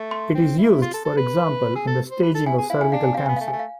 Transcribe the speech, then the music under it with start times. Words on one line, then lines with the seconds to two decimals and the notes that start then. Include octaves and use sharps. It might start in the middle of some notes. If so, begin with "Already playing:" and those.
It is used, for example, in the staging of cervical cancer.
Already playing: A3
0.11 C6
0.35 C4
0.59 E4
0.82 F4 C6
0.94 A4
1.05 A4
1.17 B4
1.75 G#4 E6
1.87 A4
2.11 C5
2.23 B4
2.34 A4
2.46 E4 G#5
2.58 G#4
2.69 E4 F5
2.81 G#5
2.92 D4 F5
3.04 G#5
3.15 C4 F5
3.26 B3 G#5
3.36 A3 F5
3.48 A3 G#5
3.59 F5